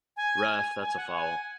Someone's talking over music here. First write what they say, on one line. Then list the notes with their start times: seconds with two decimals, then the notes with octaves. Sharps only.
Ref, that's a foul.
0.17 G#5
0.81 G#5
0.97 F#5
1.13 G#5